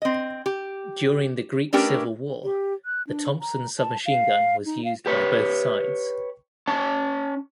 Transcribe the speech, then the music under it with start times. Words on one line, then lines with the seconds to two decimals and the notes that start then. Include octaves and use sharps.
During the Greek Civil War, the Thompson submachine gun was used by both sides.
0.02 C4 D#5
0.46 G4
1.73 A3 C#4 D4 G4 A#4 B4
2.44 G4
2.85 F#6
3.07 D4
3.41 A#5
3.78 A5
4.06 F5
4.66 D#4
4.84 F5
5.06 G4 B4 C#5
6.67 C#4 C#5 A5